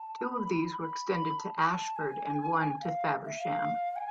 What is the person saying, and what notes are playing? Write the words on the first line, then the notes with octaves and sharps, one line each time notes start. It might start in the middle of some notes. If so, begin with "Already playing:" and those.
Two of these were extended to Ashford and one to Faversham.
Already playing: A5
B5
B5
B5
A5
A5
G#5
F5
E5
F5
G#5